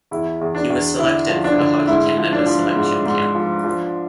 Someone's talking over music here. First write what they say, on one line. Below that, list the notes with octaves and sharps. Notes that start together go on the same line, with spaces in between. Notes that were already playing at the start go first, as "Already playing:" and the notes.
He was selected for the Hockey Canada selection camp.
E2 E4
E2
D4
E2
D3 E4
F3
D4
D3
G#2 E4
F3
D4
F3
G#2
G#2
F3
F3